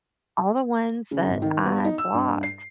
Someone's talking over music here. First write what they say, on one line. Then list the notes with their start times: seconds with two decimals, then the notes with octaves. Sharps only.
all the ones that I blocked
1.11 C#3
1.28 G#1
1.42 D#3
1.65 B3
1.84 D#4
1.98 E6
2.14 G2
2.43 C7